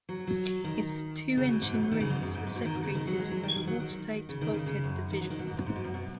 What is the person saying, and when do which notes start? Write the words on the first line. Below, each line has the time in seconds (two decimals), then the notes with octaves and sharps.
Its two engine rooms are separated by a watertight bulkhead division.
0.09 F#3
0.27 F#3
0.64 D#3
1.37 C#3
1.49 B2
1.62 G#2
1.73 B2
1.83 F#3
1.91 D#3
2.00 C#3
2.10 G#2
2.22 F#2
2.35 G#2
2.47 G#2
2.55 B2
2.65 D#3
2.75 B2
2.83 C#3
2.95 D#3
3.07 F#3
3.19 G#3
3.31 F#3
3.43 D#3
3.56 D#3
3.67 F#3
3.80 D#3
4.29 C#3
4.41 D#3
4.54 C#3
4.66 C#3
4.84 F#2
5.11 D#3
5.21 F#3
5.30 D#3
5.39 B2
5.47 G#2
5.57 F#2
5.66 G#2
5.76 B2
5.84 F#2
5.94 B2